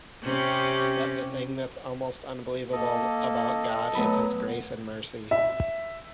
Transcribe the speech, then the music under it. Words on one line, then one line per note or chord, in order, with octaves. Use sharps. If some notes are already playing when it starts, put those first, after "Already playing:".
But the thing that's almost unbelievable about God is His grace and mercy.
C3 C#4 G4
A#3 A4 D#5
F#3 A3 B3 B5
E5